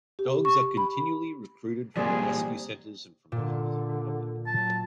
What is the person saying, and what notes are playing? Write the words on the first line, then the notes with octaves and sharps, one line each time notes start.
Dogs are continually recruited from rescue centres and from members of the public.
G4
C#6
B5
A#2 E3 G3 A#3 C4 G#4 A#4 D5
A#2 D3
F#3 A5